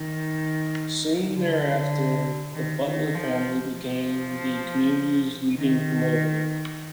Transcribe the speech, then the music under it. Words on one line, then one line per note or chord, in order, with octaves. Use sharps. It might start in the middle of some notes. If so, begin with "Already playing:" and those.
Soon thereafter the Butler family became the community's leading promoter.
Already playing: D#3
D3
D#3
D#3
F3
F3
D#3